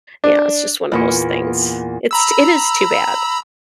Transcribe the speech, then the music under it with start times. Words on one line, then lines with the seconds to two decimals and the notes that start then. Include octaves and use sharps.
yeah, it's just one of those things. It's it is too bad.
0.24 D4
0.92 E2 A#2 C#6
2.11 A#5 B5 E6